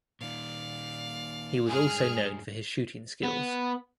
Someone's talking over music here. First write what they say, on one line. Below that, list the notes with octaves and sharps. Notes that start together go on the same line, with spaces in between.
He was also known for his shooting skills.
A#2 D#3 D5 F5
G2 G#3 G#4 F6
B3